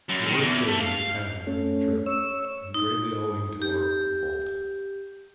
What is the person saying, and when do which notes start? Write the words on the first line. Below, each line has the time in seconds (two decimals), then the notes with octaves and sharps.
The worst day we have had during the trip and greatly owing to our own fault.
0.09 F#2
0.26 D#3
0.41 E2
0.68 A3
0.80 F5
1.47 A3 C#4
2.06 C#5 E6
2.74 D#4
3.62 G4